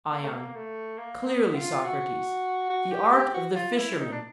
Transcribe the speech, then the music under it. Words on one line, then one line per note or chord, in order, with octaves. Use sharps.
ION: Clearly, Socrates, the art of the fisherman.
A#3
A3
A#3
A3
A#3
B3
F4
F#4
F#4
G4
G4
F#4
F4
E4
D#4
D4